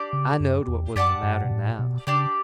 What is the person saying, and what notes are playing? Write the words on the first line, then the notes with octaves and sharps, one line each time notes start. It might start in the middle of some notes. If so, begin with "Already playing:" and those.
I knowed what was the matter now.
Already playing: D4 G4 D5
C#3
F#2
E2
F#2 G4 D5 F#5 A5
G2
B2
A2
B2
C#3 D4 G4 D5